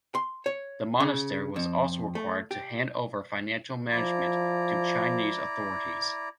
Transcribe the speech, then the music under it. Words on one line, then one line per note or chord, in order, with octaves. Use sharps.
The monastery was also required to hand over financial management to Chinese authorities.
C6
C#5
C#3
F2
A3
G4
F3 E4 D5 A#5